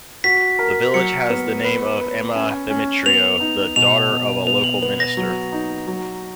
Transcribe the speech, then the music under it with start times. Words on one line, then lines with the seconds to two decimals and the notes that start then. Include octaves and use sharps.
The village has the name of Emma Bemetrio, the daughter of a local minister.
0.24 F#4 B6
0.59 A#4
0.94 F#3 C#7
1.30 B3
1.64 B4
2.00 B4
2.35 C#4
2.70 C#4
3.06 B3 F7
3.40 D#4
3.76 B2 F7
4.11 B2
4.47 B3 F7
4.64 F#7
4.82 B3 F#7
5.00 A#6
5.17 F#3
5.52 D#4
5.87 F#3